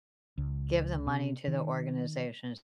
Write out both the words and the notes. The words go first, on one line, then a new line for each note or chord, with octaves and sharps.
give the money to the organizations
C#2
C3
D#3